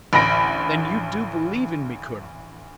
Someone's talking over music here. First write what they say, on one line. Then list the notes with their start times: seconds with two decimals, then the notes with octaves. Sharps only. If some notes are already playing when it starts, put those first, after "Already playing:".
"Then you do believe in me, Colonel?"
0.13 A1 D2 B5 A#6 D7